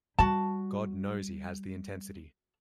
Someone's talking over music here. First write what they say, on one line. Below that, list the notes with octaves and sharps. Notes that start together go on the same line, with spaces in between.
God knows he has the intensity.
G3 F#4 A5